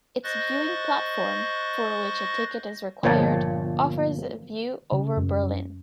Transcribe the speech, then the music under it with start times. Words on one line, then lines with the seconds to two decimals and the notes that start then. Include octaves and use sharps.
Its viewing platform, for which a ticket is required, offers a view over Berlin.
0.24 C5 D#5 C#6 F#6 A6 A#6
3.03 G1 A#2 F3 C#5 G5 A5
4.92 C#3
5.17 F#2